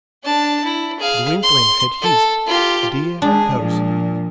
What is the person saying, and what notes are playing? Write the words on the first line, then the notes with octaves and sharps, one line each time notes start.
Gwynplaine had his, Dea hers.
D4 A5
E4
G#4 F5
C6
A4
F4 G4
G#3 D4 G#4
A#2 F3